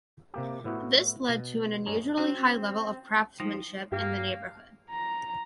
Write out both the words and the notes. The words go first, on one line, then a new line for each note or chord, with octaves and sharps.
This led to an unusually high level of craftsmanship in the neighborhood.
C3 A#3 G4
A2 B3 E4 F#4
B2
G2 G#3 C#5 A#5
C4 C#4 F#4 C5
F3 G3 D#4
G2 A#3 G4 F5
A#5